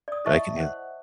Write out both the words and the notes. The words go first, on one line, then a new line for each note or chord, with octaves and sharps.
I can hea
D5 D#6
E4 D#5 E5 A5 C#6
C5 F#5